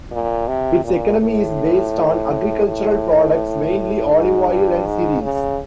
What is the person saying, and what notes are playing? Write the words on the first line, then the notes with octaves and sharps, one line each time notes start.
Its economy is based on agricultural products, mainly olive oil and cereals.
A#2
C3
A#2
A2
A2
G#2
G2
G#2
C#3